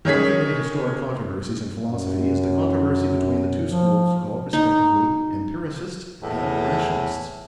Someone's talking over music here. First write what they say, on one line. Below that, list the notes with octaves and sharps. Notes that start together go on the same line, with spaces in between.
One of the great historic controversies in philosophy is the controversy between the two schools called respectively 'empiricists' and 'rationalists'.
D#3 C#4 G#4 B6
F#2
F3
D#4
E2 A2